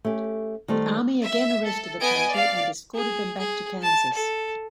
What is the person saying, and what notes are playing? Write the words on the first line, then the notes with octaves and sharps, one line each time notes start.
The Army again arrested the party and escorted them back to Kansas.
A3 C#4 G4
D#3 G3 A3 C5
E5
A4
B3 D#5 G#5 D7
D5 F5
G#4
G#4
A5
A4